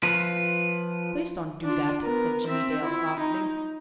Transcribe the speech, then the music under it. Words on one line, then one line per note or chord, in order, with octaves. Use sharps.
"Please don't do that," said Jimmie Dale softly.
F3 B4
D4 F4
B3 A#4
C4 E5
E4 F4
D#4